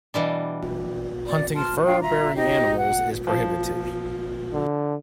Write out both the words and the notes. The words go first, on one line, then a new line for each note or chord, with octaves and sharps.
Hunting furbearing animals is prohibited.
B2 E3 G3 D4
D5
A5 C6 F6
D4 F4 F5 G5
F4 E5 A#5
D#4 G4 D#5
F#5
F3
D3